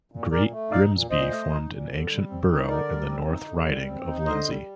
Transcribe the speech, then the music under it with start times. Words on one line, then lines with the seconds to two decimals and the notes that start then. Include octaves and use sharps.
Great Grimsby formed an ancient Borough in the North Riding of Lindsey.
0.12 A#2
0.31 A#2 A#4 D5
0.51 A3
0.71 D#4 D5 F5
0.91 A#2
1.11 A#2 C5 D#5
1.30 A3
1.50 D#4
1.70 A#2
1.90 D3
2.09 G3
2.29 C4
2.49 D#4
2.68 D3 A#4 D5
2.88 G3
3.08 C4
3.27 D#4
3.47 D3
3.67 G3
3.87 C4
4.07 D#4
4.26 D3 C5 D#5
4.46 G3